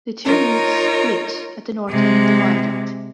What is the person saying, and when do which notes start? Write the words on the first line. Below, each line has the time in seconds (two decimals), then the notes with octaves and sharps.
The two routes split at the north end of the viaduct.
0.23 D#4 F4 A#4 C#5
1.89 C3 G#3